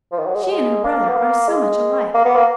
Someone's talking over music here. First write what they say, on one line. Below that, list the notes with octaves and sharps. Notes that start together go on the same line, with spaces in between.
She and her brother are so much alike!
F3
D#3
F#3
G#3
F#3
G#3
A#3
B3
A#3
G#3
A#3
B3
A#3